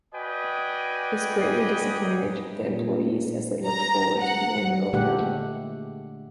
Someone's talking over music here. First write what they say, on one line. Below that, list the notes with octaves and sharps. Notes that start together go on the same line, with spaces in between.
This greatly disappointed the employees as they looked forward to the annual event.
F#4 B4 D5 D#5 G5 G#5
A#2
A#5
F#5
A#2 D3 G#3 A3 G4 F#5